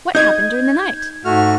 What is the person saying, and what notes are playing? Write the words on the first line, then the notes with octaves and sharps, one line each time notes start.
What happened during the night?
D#4 D#5 G6 G#6
G#2 A3 F#4 F6